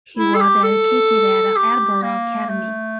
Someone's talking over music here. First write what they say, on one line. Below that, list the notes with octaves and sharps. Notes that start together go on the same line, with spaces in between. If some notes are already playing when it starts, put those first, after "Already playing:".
He was educated at Edinburgh Academy.
E4
A4
G4
A4
G4
A#3
A3